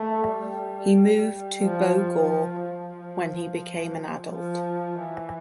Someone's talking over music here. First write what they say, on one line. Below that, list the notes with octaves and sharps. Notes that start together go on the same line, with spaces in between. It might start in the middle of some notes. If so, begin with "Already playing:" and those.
He moved to Bogor when he became an adult.
Already playing: A3
G3
F3
F3
F3
F3
E3